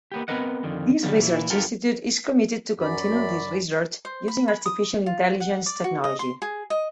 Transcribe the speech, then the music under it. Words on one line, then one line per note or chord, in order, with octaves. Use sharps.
This research institute is committed to continuing this research using Artificial intelligence technology.
A#3 B3 G4
B3 C4 A#4 B4 D#5 F#5
F2 D3 D#3
D3 D#3 F#3 G3 A#3
A#2 E3 E4
G2 B3 F4 G4 A4 A#4
F#2 D5 B5
C5
B5
B5
D#6
F4
F#5
D5
F#4
D#5
C6
G#4
D#5